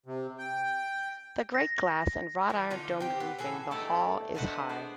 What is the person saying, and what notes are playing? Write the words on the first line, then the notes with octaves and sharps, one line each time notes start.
The great glass and wrought-iron dome roofing the Hall is high.
C3
G5
A#6
E3 A3
D3 D#4 F4
C4 G4
B3
A2 E3 G#4 A4
B2 G3 A3 E4 A4 D5
B2 D4 B4 C5 F#5 A5
G#3 B3 C5 D5